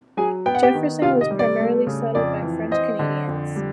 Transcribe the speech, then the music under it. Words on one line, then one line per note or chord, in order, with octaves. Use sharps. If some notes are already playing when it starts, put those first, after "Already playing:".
Jefferson was primarily settled by French-Canadians.
F#3 G#4 G#5
B3 G5
F#5
G4 G5
D#3
C3 F4 F5
D#5
G3
D5
A3
C#3
F2 D5
E3
C4 D#5
D3
F2
G3